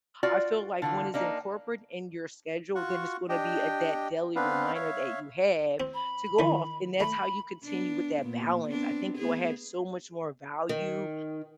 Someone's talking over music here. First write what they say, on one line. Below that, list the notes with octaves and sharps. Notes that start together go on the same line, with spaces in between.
I feel like when it's incorporate in your schedule, then it's gonna be a that daily reminder that you have to go off. And that's how you continue with that balance. I think you will have so much more value
F4 F#4 D5
D3 E3 F4
A#3 D4 D#4
F4 F#4 F#5 C#6
D4 G4 D#5 G5
B3 C4 D4 B4 F5
C#5 E5 F5
C4
B5
D#3 E3 D#4
A3 B5
B3 D4
A#2 B3
B3 C4 D4
A3 B3 G#4
D#3